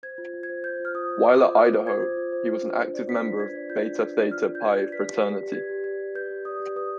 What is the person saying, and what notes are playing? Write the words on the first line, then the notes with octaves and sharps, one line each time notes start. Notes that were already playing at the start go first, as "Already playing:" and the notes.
While at Idaho, he was an active member of Beta Theta Pi fraternity.
C5 G#6
F4
F4
G#6
C5
C5 G6
F4
F6
F4 D#6
C5
C5 D6
F4
F4 F6
C5
C5 G#6
F4
F4
C5
F4
D4
B4
D5
F4 B6
D4
B4 G#6
D5
F4 G6
D4
B4
D5
F4 F6
D4
G6
B4 G#6
D5
B4 B6
G4
D5
G4
B4 G#6
G4
D5 G#6
G4
B4 G6
G4
D5 D#6
G4
B4 D#6